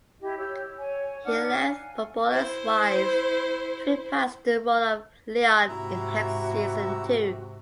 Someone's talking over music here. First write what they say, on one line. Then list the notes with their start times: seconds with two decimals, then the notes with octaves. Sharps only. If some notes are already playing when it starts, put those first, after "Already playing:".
He left "Footballers' Wives" to reprise the role of Leon in "Hex" season two.
0.20 E4 G4 D#5
0.38 G4 C#5 E6 G6
0.78 C#5 G#5
1.24 D4 D#4 F#5 F6
1.64 F5 G#5
2.32 E4 C5
5.69 G#2 C3 E4 F#4 E5 A#5